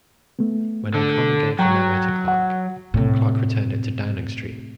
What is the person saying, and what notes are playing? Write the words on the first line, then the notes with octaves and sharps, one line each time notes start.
When O'Connor gave the memo to Clarke, Clarke returned it to Downing Street.
A3 B3
D3
F#3 G5 A#5 C#6
F#5
A2 C3